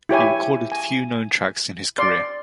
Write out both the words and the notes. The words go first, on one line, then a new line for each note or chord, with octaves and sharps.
He recorded few known tracks in his career.
E4 G4 C#5 G#5
G#5
D5 C6